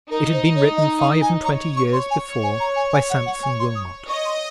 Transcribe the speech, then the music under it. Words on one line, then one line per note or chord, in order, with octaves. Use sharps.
It had been written five-and-twenty years before by Sampson Wilmot.
D#4 A#4
C5
C#5
D#5
F5
G#5
C#5 A#5
C#6
C6
G#5
G#5
A#5
G#5
G#5
F#5
F#5
G#5
C6
D#6
D#5 C#6
C6